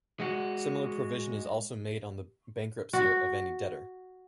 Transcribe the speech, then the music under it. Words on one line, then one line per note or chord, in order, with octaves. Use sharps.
Similar provision is also made on the bankruptcy of any debtor.
G#3 F#4
F#4